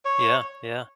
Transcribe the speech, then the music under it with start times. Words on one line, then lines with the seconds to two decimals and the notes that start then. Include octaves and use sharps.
Yeah yeah.
0.05 C#5